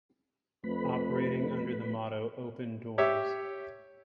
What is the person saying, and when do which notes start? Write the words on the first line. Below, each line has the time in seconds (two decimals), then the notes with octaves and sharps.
Operating under the motto Open Doors.
0.64 F2 A3 B4 B5
2.98 G4 C#5 E5